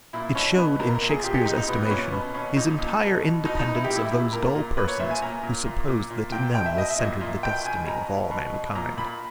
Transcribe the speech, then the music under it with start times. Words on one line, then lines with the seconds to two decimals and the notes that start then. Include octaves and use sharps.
It showed, in Shakespeare's estimation, his entire independence of those dull persons who supposed that in them was centred the destiny of all mankind.
0.13 A#2 E4
0.35 B2 C#4
0.57 B2 B3
0.79 A#2 A#4
0.95 A#4
1.02 A#2
1.09 G#4
1.24 A#2 G4
1.34 G4
1.45 A#2 D#4
1.57 D#4
1.68 A#2 B3
1.85 B3
1.90 A#2 C#4
2.12 B2 B3
2.34 B2 C#4
2.57 A#2 D#4
2.78 A#2
3.00 B2
3.22 B2
3.45 B2 D#4
3.59 D#4
3.67 B2
3.75 E4
3.84 G4
3.89 A#2
3.96 E4
4.11 A#2
4.33 A#2 A#4
4.55 A#2
4.77 A#2 B4
4.88 C#5
4.99 A#2 E5
5.11 G#5
5.22 A#2 A#5
5.43 A#2
5.66 A#2
5.88 A#2
6.10 A#2
6.32 A#2 G5
6.55 B2 G5
6.66 E5
6.77 B2 D#5
6.90 E5
6.99 A#2
7.21 A#2
7.43 B2 G5
7.65 B2 G#5
7.87 B2 A#5
8.09 B2
8.31 B2
8.53 B2
8.75 A#2 A#5
8.97 A#2 B5